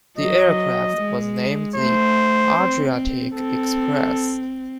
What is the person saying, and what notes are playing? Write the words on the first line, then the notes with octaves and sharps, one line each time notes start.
The aircraft was named the "Adriatic Express".
F#3 D#5
G#3
A3 C5
C4
C4 A4